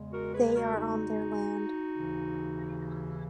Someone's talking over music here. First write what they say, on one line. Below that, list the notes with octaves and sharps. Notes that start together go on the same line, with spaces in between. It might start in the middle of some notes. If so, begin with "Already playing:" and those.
They are on their land.
Already playing: E2 C#3 G#3
F#4 A#4
G#4 B4
F#4 A#4
D#4 F#4
D#2 C#3 E3